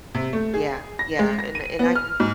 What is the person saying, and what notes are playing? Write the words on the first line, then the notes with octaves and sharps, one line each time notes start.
Yeah, yeah, and and I can
C3
A3
G#4
A#6
G#3
A#6
D#7
B3
F6
G#2